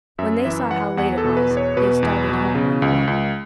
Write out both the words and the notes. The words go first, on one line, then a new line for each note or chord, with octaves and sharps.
When they saw how late it was, they started home on the run.
F#2 E5
E3 E5
E3 F#5
E2 F#5
A4
B2
B4
E2
C#5
B2 B4
E2
B2
C#3
C#2
C#2